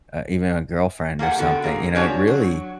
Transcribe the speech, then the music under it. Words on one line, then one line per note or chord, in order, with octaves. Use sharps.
uh even a girlfriend or something, you know, it really,
A#3 G4 G#4 F#5
D3 B3 F#4 A4 G5
A#3 G#4
C#4 D4 F#4 G4 C#5
F#3